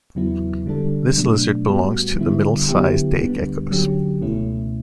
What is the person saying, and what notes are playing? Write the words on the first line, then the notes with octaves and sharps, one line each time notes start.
This lizard belongs to the middle-sized day geckos.
E2 C#3 F#3 B3 E4
D3 G3 D4 A4
B2 F#3 A3 D4
A2 G3 B3 F#4
D3 G3 B3 E4
D3 F#3 B3 E4 G4
D2 D3 G3 B3
D3 F#3 C#4 G4
C#2 B2 A3 C#4 E4